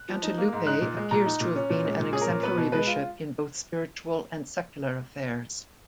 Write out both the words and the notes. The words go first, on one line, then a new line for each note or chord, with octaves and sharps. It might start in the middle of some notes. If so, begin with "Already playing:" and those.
Cantilupe appears to have been an exemplary bishop in both spiritual and secular affairs.
Already playing: F#6
F3
D#4
A#3
G#2
D#4 F#6
A#2
G#3
A#2 A#5
D#4
A#2
C#4
A#2
G#3
A#2
C#4 G#4
A#4
A#2
B3 B4
B2
G#3 B4
F4